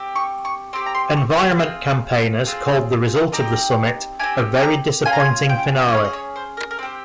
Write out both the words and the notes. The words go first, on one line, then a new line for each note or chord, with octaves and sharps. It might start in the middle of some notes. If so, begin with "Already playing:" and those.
Environment campaigners called the result of the summit "a very disappointing finale".
Already playing: C4 G4
C#6
C#6
C4 G4 C6
A#5
C6
C#6
C4 F4 G#4
C4 F4 G#4
C4 D#4 G4 A#5
C4 D#4 G4 G#5
G#5
A#5
C#4 F4 G#4 G#5
A#5
G#5
G5
C#4 F4 C#5
G#4
D#5
C#5
C5
A#4
A#4
C4 G4 C5